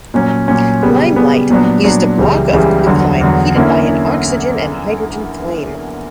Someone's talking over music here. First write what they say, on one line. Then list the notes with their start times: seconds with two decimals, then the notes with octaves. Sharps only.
Limelight used a block of quicklime heated by an oxygen and hydrogen flame.
0.14 A#2 F#3 C#4
0.48 A#2 F#3 C#4
0.82 C#3 G3 B3
1.16 C#3 G3 B3
1.50 A#2 F#3 B3 D4
1.84 A#2 F#3 B3 D4
2.18 C#2 C#3 E3 G3
2.53 C#2 C#3 E3 G3
2.87 E2 D3 F#3
3.21 E2 D3 F#3
3.56 D3 A#3 C#4 E4